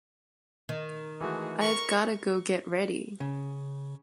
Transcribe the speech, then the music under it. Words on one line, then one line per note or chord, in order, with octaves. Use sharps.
I’ve gotta go get ready.
D#3
E3 G#3 A3 F#4 G#4
A#4 C#6
C#3